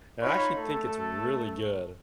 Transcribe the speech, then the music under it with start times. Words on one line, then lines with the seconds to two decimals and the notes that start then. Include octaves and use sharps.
and I actually think it's really good,
0.21 D#4 F4 C#5 B5
0.57 A3 A4